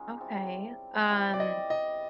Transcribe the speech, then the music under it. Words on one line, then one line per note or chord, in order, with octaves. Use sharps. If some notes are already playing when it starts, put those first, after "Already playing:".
Okay. Um
Already playing: D#3 G#3 C#4 F4
G3 C4 E4 A4
G3 C4 E4 G4
D5
D#5
D#5